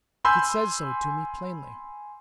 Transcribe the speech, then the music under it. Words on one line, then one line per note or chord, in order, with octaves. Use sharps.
He said so to me, plainly.
G#5 B5 C6 E6 G6